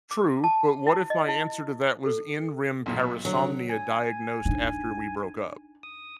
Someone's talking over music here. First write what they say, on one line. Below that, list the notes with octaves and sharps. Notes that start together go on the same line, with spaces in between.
True, but what if my answer to that was in REM parasomnia diagnosed after we broke up?
D6
A5
E4
D#5
E4
A4
B1 A#2
D3 F#3
G#5
D4 D#4
D#6